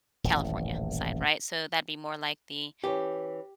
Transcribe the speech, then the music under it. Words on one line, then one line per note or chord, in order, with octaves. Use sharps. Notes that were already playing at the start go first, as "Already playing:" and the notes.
California side, right? So that'd be more like the
D#1 A1 F#2 E3
E3 C#4 G4 C#5